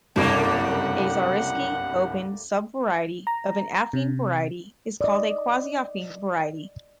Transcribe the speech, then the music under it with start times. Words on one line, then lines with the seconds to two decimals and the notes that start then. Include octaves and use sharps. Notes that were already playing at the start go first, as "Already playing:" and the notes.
A Zariski open subvariety of an affine variety is called a quasi-affine variety.
0.16 F#1 C2 G2 G3 A3 A#3 F#5
3.27 A#5
3.93 C3
5.01 D5 D#5